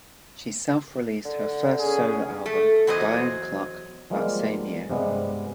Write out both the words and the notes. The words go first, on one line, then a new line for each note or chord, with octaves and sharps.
She self-released her first solo album, "Diane Cluck", that same year.
D3
B3 C#4 G#4
A3
E2 F#3 C5 D#5
F3 G3 G#3 A#3 B3 F4
G2 C3 G3 G#3 B3